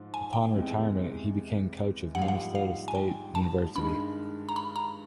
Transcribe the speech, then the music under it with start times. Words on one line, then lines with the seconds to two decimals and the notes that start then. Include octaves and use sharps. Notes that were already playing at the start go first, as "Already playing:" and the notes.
Upon retirement, he became coach of Minnesota State University.
Already playing: G#2 F3
0.14 G#5
0.33 G5
0.53 E2 C3 E3 G#3
2.15 A#1 G#2 D#3 G3 F#5
2.22 F5
2.28 F#5
2.55 F5
2.88 G#5
2.95 G5
3.35 A5
3.75 G2 D#3 G#3 B5
4.49 A#5
4.56 B5
4.76 A#5